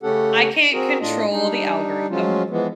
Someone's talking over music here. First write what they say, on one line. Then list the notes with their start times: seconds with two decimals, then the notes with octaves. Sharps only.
I can't control the algorithm,
0.03 C#3 A3 C#4 G4 A4 F#5
0.73 C4 F#4 G#4 A#4
1.00 A2 D4 F4 D#5
1.31 G3 D4 D#4
2.10 F3 F#3 G#3 C#4 F4
2.50 E3 F3 G#3 B3